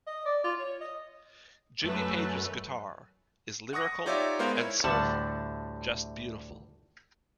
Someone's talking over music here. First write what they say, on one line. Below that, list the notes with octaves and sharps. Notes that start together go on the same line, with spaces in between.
Jimmy Page's guitar is lyrical and soulful - just beautiful.
D#5
D5
F4
C#5
D#5
F#2 A3 B4
F#5 C#6 D#6 A#6
D#4 F4 G4 C#5 D5 E5
G#3 B3 A#4 C5 F5
E4 C#5
D2 A2 D3 G3 F#5 A5